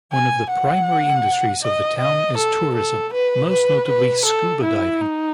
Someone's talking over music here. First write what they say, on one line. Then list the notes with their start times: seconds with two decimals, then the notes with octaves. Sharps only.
One of the primary industries in the town is tourism, most notably scuba diving.
0.13 G#5
0.50 F#5
1.63 D#5
2.00 D#5
2.38 A4
2.75 A4
3.14 B4
3.51 B4
3.88 B4
4.25 A4
4.64 E4
5.00 D#4